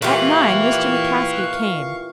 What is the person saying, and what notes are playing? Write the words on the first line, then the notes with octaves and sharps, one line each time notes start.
At nine Mr. McCaskey came.
A#2 E3 G4 B4 E5 F5 C#6